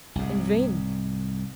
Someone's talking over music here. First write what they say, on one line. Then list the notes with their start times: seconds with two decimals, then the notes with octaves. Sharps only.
In vain!
0.15 C2 G#2